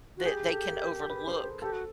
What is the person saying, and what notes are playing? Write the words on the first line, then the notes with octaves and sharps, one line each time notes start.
that they can overlook,
F#4
G4 G#4
A4
A#4
B4
C5
B4
G4 A4
F#4